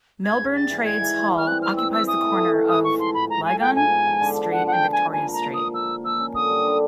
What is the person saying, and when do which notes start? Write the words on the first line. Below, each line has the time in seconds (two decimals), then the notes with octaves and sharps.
Melbourne Trades Hall occupies the corner of Lygon Street and Victoria Street.
0.25 G#2 G#6
0.40 G#2
0.55 G3 A6
0.70 E3
0.86 G#2 G#6
1.02 E3
1.17 G3
1.32 E3
1.37 F6
1.47 C4 F#6
1.62 C4 F6
1.77 C4 E6
1.93 C4 E6
2.08 E3 D#6
2.24 A3
2.38 A3
2.54 E3
2.69 G#2 D#6
2.84 A3 C#6
2.99 F3 C6
3.14 G#2 B5
3.29 G#2 A#5
3.45 A3 G#5
3.60 F3 G5
3.76 G#2 G#5
3.91 B3
4.07 F3
4.21 D3
4.37 F3
4.52 F3 F#5
4.67 F3 F#5
4.73 G5
4.83 B3
4.93 F3 G#5
5.13 A#3 G#5
5.29 F3 A#5
5.44 A#3
5.54 D#6
5.59 F3
5.73 A#3 E6
5.89 A#3
6.04 F3 E6
6.20 C#4
6.35 D3 D#6
6.50 G3
6.65 D3